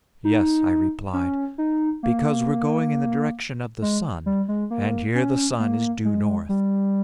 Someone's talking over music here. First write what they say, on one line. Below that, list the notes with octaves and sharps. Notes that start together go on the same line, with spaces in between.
"Yes," I replied, "because we're going in the direction of the sun, and here the sun is due north."
D#4
C#4
D#4
A#3
G#3
G3
G#3
A#3
C#4
A#3
G#3
G3